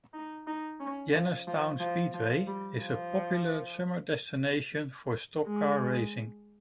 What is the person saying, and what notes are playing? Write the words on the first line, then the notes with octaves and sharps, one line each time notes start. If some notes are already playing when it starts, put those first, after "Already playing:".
Jennerstown Speedway is a popular summer destination for stock car racing.
D#4
D#4
C#4
F3
F3
F3
F3
G3
F3
G#3